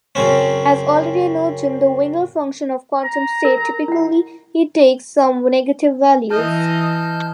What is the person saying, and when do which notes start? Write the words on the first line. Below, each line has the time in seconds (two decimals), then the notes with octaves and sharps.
As already noted, the Wigner function of quantum state typically takes some negative values.
0.15 F#2 C#3 C4 C#4
3.04 A#5
3.45 A#4
3.88 E4 F#5
6.30 E3 D#5 A5 F6 G6